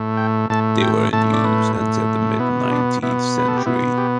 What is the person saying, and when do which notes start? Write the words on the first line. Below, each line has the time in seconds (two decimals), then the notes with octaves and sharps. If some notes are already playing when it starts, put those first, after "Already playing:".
They were in use until the mid-nineteenth century.
Already playing: A2 A3
0.17 G5
0.50 A2 A3 A5
0.82 G5
1.13 A2 A3 A5
1.33 D5
1.44 B4
1.76 A2 A3
2.39 B2 B3 E4
2.71 D4
3.03 B2 B3 E4
3.39 B4
3.48 A4
3.57 G4
3.66 B2 B3 E4
3.98 G4